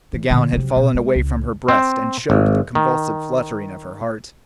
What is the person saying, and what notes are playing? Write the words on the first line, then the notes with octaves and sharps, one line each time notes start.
The gown had fallen away from her breast and showed the convulsive fluttering of her heart.
E3
A#2 D3
C3 F#3
B2
G#3
C#2
C4
G#1
D#3